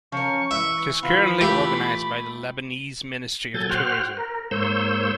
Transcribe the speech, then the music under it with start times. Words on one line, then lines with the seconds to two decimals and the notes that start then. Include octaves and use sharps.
It is currently organised by the Lebanese Ministry of Tourism.
0.12 F3 C#4 A#4 C#6
0.51 E3 B4 E5 C#6
1.03 E3 F4 F5 B5
1.41 A3 G4
3.54 A#2 F#3 A4 G#5 G6 A6
3.69 F#4 C5 F#5 G5 F6
4.17 A#4
4.51 G#2 A#3 C5 C#5 E6 G6